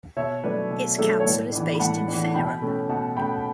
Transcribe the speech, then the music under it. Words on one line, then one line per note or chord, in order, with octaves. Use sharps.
Its council is based in Fareham.
B2 C#5 E5
F#3 A3 D4 B4 D5
B2
F#3 A3 D4 A4
C#5
A2 B4
E3 B3 D4
B5
A2 F#5 A5
E3 B3 D4
B2 G5 B5
A3 C#4
B2 F#5 A5
A3 C#4 G5 B5